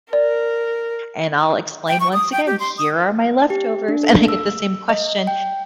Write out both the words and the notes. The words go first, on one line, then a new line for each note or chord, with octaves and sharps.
and I'll explain once again, "Here are my leftovers," and I get the same question.
A#4 D5
G5
C#6
D#6
G5
G4
C6
D#6
G4
D4
A4
E6
D#5
G5